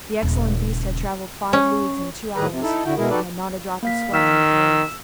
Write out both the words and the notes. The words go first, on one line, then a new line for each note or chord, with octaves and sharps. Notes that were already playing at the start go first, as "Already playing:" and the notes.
The excellent beast had travelled five leagues in two hours, and had not a drop of sweat on his loins.
D#1 C#3
C#4
A2 D#3 G#4 B4 A#5
C3
D#4 E4 A4
D3 E4 F#4 G5
B2 G#3 E4 G#4 A#4
D#4 F#4 G4 A4 B4 D5
A#3 F5 B6
D#3 E6 F6 B6